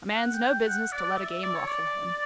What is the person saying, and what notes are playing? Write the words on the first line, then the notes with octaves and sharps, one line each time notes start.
"A man's no business to let a game ruffle him."
F#5
G5
G5
F#5
D5
E5
E5
D5
C#5
D5